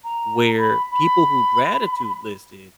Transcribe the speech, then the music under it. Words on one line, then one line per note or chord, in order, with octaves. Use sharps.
where people who gratitude listed
A#5
B5
B5